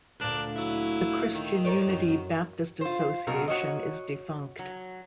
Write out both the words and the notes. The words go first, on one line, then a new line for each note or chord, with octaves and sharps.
The Christian Unity Baptist Association is defunct.
D2 A#2 D4 A#4
F#3 E4
D#3
A#4 C#5 D5
F#2 F#4
F4 C5
G2 B2 C4 F#4 A#4
F#4 C#5 D#5
F#3